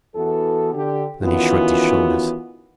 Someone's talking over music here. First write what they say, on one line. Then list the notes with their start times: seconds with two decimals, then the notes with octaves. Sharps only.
Then he shrugged his shoulders.
0.16 E2 E3 B3 F#4 A4
0.74 D3 G4
1.23 D#3 E3 B3 C#4 F4 F#4